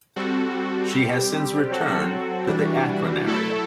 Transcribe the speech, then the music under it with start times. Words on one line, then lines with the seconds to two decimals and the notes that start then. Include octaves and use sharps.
She has since returned to the Akron area.
0.16 G3 C4 F#4 A4
0.94 G3 C4 G4
1.71 F#3 C4 F#4 A4
2.48 E3 G3 D4 F#4
3.26 F#3 A3 E4 A4